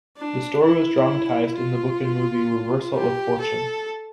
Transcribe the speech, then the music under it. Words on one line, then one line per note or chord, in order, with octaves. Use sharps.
The story was dramatized in the book and movie, "Reversal of Fortune".
D4
E4
F4
G4
A4